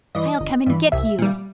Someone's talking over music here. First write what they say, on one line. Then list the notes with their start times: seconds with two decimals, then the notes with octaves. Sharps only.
"I'll come and get you."
0.15 G2 E3 D#5
0.41 G1
0.66 G2 E3
0.92 C2 E5
1.18 A#2 G3